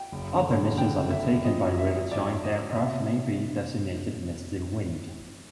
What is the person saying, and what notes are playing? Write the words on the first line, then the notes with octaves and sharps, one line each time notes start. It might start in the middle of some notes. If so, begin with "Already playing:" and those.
Other missions undertaken by Rivet Joint aircraft may be designated Misty Wind.
Already playing: G5
F#1
D3
F#1
D3 G5
F#1
E5
F#1
F3 D#5
F#2
E5
F#2
F#2 D5
F#2
D#5
F#2
C3 E5